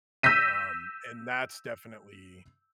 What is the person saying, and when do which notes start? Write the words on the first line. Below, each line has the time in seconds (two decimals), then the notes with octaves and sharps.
Um, and that's definitely
0.23 E6 G6 A#6 B6 D#7